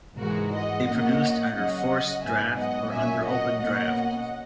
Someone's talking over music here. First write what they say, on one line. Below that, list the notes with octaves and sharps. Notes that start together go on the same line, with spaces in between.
They produced under forced draught, or under open draught.
G#2 E3 G#3 F#4 A#4
D#5 F#5
A#2 A#3 C#4 D#5 F#5
C#3 F#3 C#4 D#5 F#5
G#2 F#3 B3 E5 G#5
D#5 F#5
A#2 F#3 A#3 C#4 E5 G#5
D#5 F#5
B2 A#3 C#4 D#5 F#5